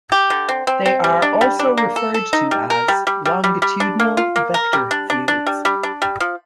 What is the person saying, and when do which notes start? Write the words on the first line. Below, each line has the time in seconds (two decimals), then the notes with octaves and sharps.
They are also referred to as longitudinal vector fields.
0.12 G4
0.30 D3
0.49 C4
0.67 C4
0.86 C4
1.04 G3
1.22 D4
1.41 G3
1.59 D4
1.77 A#3
1.96 A4
2.14 A4
2.33 D#4
2.51 G3
2.70 A#4
2.88 G3
3.07 G3
3.25 G3
3.44 G3
3.62 G3
3.80 D4
4.00 A#3
4.17 F4
4.36 A#3
4.54 A#4
4.73 G3
4.91 D4
5.10 D4
5.28 D4
5.46 G3
5.65 G3
5.83 D4
6.02 G3
6.20 F3